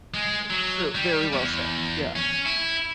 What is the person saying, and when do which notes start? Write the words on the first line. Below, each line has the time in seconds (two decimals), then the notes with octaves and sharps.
I true, very well said. Yeah.
0.14 G#3
0.50 F#3
0.95 G3
1.33 E2
2.16 C#4
2.46 E4